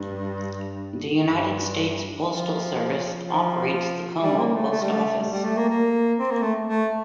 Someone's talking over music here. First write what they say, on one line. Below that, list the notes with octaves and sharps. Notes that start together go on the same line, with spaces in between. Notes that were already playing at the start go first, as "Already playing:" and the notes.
The United States Postal Service operates the Como Post Office.
Already playing: G2
G2
F3
F3
G3
A#3
A3
A3
G3
A3
G3
G3
A3
A#3
A#3
C4
A#3
A3
A3